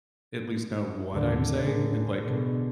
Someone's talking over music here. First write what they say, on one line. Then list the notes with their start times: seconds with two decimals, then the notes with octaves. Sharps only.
at least know what I'm saying and like
1.14 D#2 A2 D3 D5
1.67 A2 G#4 A#4
2.23 B2 D3